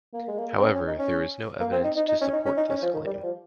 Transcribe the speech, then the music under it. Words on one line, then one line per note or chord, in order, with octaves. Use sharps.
However there is no evidence to support this claim.
A#3
G#3
A#3
C4
C#4
C#4
D#4
C#4
A#3
C4
D#4
D#4
D#4
C#4
D#4
C#4
D#4
C#4
F3
D#3
G3
F3